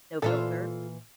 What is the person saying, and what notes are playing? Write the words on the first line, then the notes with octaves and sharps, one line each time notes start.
No filter.
A#2 E3 F4 A4 C5